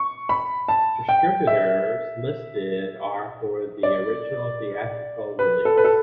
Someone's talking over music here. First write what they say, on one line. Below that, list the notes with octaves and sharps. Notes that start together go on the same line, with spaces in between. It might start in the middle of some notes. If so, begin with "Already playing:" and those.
Distributors listed are for the original theatrical release.
Already playing: C#6
B5
A5
G5
E5
D5
B4
A4
B4
A4